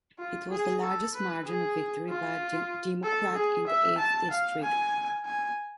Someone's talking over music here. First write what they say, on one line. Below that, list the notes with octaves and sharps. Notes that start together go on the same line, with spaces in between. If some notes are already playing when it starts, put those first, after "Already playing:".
It was the largest margin of victory by a Democrat in the Eighth District.
F4
G#4
A4
B4
G#4
F4
A4
G#4
E5
A5
F5
G#5
G#5